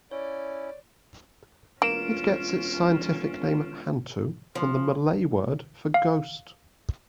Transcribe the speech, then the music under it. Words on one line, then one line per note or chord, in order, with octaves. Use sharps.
It gets its scientific name "hantu" from the Malay word for ghost.
C#4 E4 C#5 D5
E1 A#3 C#4 F4 D7 E7
F3
F5